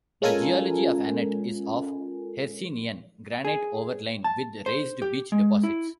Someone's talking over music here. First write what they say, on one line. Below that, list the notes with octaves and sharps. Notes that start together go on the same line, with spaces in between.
The geology of Annet is of Hercynian granite overlain with raised beach deposits.
G#3 C#4 F4 A4 A#4 G#5
G#4
A5
C5
G4
G#3
E4